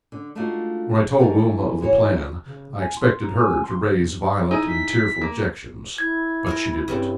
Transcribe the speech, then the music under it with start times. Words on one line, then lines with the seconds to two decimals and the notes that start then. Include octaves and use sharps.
When I told Wilma of the plan, I expected her to raise violent and tearful objections, but she didn't.
0.12 D3
0.35 G#3 A3 D4 D#4 F4 F#4
1.19 E3 D#4 F#4 A4 A#4
1.82 E3 F#4 C#5
2.46 C#3
2.78 G#5
2.97 C6
3.23 A#5
3.38 G#5
3.64 C6
3.81 C#3
4.51 D#4 E4 G#4 D#7
4.68 B6
5.21 A#3
5.98 E4 G#6
6.46 A#4 C5 G#5
6.88 G2 C#3 C4